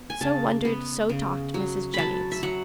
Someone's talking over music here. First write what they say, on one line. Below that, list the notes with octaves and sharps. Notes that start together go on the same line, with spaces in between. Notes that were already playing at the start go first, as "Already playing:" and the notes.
So wondered, so talked Mrs. Jennings.
Already playing: B3
G#5
C#3 A5
B3
C#3
F#3
F#3 A5 B5
E5
F#3 F#5